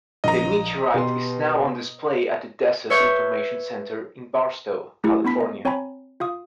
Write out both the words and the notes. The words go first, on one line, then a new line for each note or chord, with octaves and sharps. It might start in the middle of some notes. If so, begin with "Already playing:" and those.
The meteorite is now on display at the Desert Information Center in Barstow, California.
A#1 D#5 A#5
B2 G4 C6
B4 C#5 E5 C#6 G6
A3 E4 G4
B3 D4 B5 B6
D#5
C4 C#5 G5 G#5 A#5 B5
F4 F5 D#6